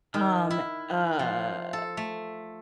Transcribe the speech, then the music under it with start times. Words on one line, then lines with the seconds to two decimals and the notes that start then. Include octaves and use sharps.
Um, uh,
0.14 D#3
0.50 E4
1.19 F3
1.73 A4
1.97 A3